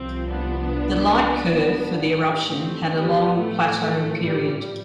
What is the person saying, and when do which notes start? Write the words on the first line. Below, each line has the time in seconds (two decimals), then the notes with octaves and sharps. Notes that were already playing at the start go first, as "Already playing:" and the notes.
The light curve for the eruption had a long plateau period.
Already playing: C2 C3 F3 C4
0.29 B3 D4
1.61 A2 E3 G3
2.50 A3 C4
2.93 G3 B3
3.37 A2 F3 A3
3.81 A3
4.25 G3